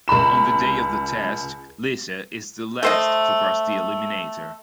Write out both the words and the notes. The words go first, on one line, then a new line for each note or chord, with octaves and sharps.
On the day of the test, Lisa is the last to cross the Eliminator.
C#2 A#5 B5 E7
A3 C5 D#5